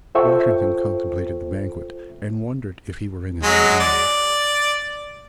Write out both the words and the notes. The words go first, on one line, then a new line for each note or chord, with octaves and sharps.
Washington contemplated the banquet, and wondered if he were in his right mind.
F4 A4 C5 E5 G5 C#6
F#3 G#3
D5